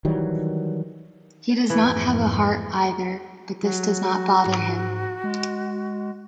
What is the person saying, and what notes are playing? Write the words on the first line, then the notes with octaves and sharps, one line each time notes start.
He does not have a heart either, but this does not bother him.
D#3 E3 F#3 G3
F2 G#2 E3
F#3 F#4
G#2
G#3